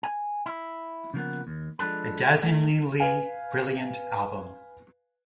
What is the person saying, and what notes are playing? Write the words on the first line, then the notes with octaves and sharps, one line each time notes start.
A dazzlingly brilliant album.
G#5
E4
C#3 F3 A#3 B3
D#2
F3 G#3 D4 A4 B4
A3
B4 F5 G#5